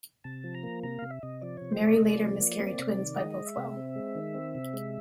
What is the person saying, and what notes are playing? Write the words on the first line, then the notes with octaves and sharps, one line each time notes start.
Mary later miscarried twins by Bothwell.
C3 A5
F3
A#5
A#3
C3 A#5
C3 F5
E5
C3 D#5
F3 D5
C3 C#5
C5
C3 D5
D#5
C3 D5
F3
A#3
C4
C3
D#3
G#3 D#5
G#3
E5
C3
C4
G#3
D#3
C4
C3
G#3